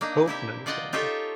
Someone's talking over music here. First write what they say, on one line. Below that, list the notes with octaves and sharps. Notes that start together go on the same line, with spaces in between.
Hope and understanding,
A#3 D4 D#4
C3 E4 G4 E5
F4 D5 D#5 F#5 G5
D#4 F4 G4 A4 C#5 E5